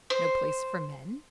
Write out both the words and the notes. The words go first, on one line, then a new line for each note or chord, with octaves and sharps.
No place for men?
C5